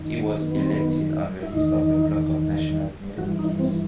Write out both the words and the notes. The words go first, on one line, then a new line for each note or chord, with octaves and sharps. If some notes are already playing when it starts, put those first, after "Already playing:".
He was elected on the list of the Bloc of National Minorities.
Already playing: F#2 D#3
B3
C4
B3
E4
E2 D#3 D#4
G2 E3 F#4
D#4
C4